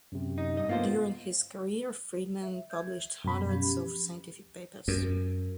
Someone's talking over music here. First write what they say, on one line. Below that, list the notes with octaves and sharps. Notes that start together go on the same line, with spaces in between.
During his career Friedman published hundreds of scientific papers.
F#2 C3
D#4
G2 D#5
G2 A#3 B3 F4 C5
E5
G6 G#6
F#2 B2 B5
F3 C#4 G4
F#2